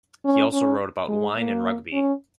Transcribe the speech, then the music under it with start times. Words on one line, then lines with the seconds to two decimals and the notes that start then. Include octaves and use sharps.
He also wrote about wine and rugby.
0.25 C#4
0.53 C#4
1.09 G#3
1.37 A#3
1.93 C#4